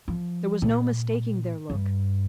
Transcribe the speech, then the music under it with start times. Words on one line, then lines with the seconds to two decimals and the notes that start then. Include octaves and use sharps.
There was no mistaking their look.
0.08 F3
0.62 A#2
1.70 G2